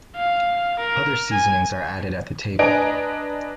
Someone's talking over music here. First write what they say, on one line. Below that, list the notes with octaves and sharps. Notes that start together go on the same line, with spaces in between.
Other seasonings are added at the table.
F5
A#4
G#5
D4 B4 D#5 G#5 A#5 D7